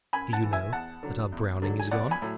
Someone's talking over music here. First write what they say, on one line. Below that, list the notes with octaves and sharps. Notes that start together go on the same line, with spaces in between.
Do you know that our Browning is gone?
F#2 G#5 B5
F#5 A5
E3
E5 G#5
E2 F#5 A5
D3 F#3
E2
D3 F#3
G#5
B1 D5 F#5
G#5 B5
A2 F#3